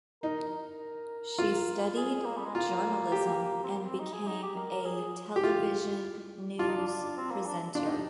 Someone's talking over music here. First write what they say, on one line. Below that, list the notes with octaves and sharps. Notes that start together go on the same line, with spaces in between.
She studied journalism and became a television news presenter.
D#4 A#4
A#4
F4
G#4
A#3
G3
G#3
A#3 F4
G4
C4
A#3
C4
D#4
G#4
D#4
G4
A#4
A#4
G#4
G4
F4
D4 F4
D#4
D4
D4
C4
A#3
D4
D4 F4
D#4 G4